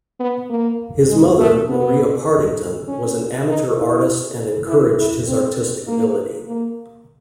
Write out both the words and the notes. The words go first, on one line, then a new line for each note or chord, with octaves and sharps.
His mother, Maria Partington, was an amateur artist and encouraged his artistic ability.
B3
A#3
G#3
A3
B3
C#4
D#4
E4
E4
E4
C4
A#3
A#3